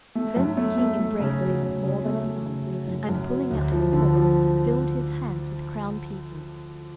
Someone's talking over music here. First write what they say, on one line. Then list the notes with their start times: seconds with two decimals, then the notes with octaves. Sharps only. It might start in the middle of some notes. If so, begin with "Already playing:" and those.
Then the King embraced him more than a son, and pulling out his purse, filled his hands with crown-pieces.
0.15 A3
0.36 F#2
0.57 A3
0.78 A3
0.99 A3
1.20 C#3
1.41 F#3
1.62 C#3
1.83 C#3
2.04 A3
2.25 A3
2.46 C#3
2.67 F#3
2.88 F#2
3.09 F#2
3.30 F#3
3.50 D2
3.72 F3
3.92 D3
4.14 F3